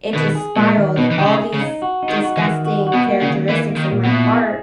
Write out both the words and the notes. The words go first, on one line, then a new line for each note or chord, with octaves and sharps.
It just spiraled all these disgusting characteristics in my heart
B2 D#3
G#4
A#2 G#3
D#3
B2 D#4
E3
D#3 D#4
C#3
G#4
C#3
D#4
F#4
D#4
D#3
F#4
E3
D#3
F#4
F#4
B2
A#3
C#3
D#3
E3 A#3
A#3
D#3
A#2
B2
E4
G#4